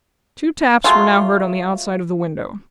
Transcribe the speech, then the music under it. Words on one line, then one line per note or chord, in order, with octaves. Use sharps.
Two taps were now heard on the outside of the window.
F#3 G#3 A3 F4